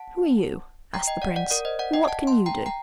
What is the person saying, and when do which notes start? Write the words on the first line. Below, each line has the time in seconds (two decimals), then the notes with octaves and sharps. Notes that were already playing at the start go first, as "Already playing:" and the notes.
'Who are you?' asked the prince, 'and what can you do?'
Already playing: F#5 A5
0.94 G5 A#5
1.07 D#5 G5
1.22 D5 F#5
1.36 D5 F#5
1.51 A#4 D5
1.65 C5 D#5
1.79 D5 F#5
1.93 D#5 G5
2.08 F#5 A5
2.27 A5 C6
2.46 G5 A#5
2.66 G5 A#5